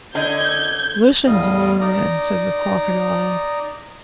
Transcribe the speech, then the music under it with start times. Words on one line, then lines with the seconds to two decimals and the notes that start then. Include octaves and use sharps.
"Listen to me, then," said the Crocodile.
0.15 D3 D#5 G6 G#6
1.27 E2 A2 G3 D#5 F5
1.81 D#4 D5 A#5